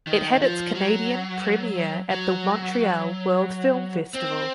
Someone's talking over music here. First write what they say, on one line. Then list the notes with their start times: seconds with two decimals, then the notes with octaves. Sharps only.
It had its Canadian premiere at the Montreal World Film Festival.
0.07 D#3
0.41 F3
0.75 F#3
2.11 F#3
4.14 C4